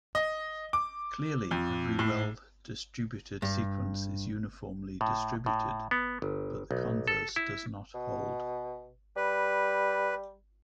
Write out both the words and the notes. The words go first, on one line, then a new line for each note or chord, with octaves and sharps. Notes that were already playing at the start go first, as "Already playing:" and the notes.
Clearly every well-distributed sequence is uniformly distributed, but the converse does not hold.
D#5
D6
F2
A2
G2
A2
A2
B3
G1
B1
A4
E4
B2
G3 B4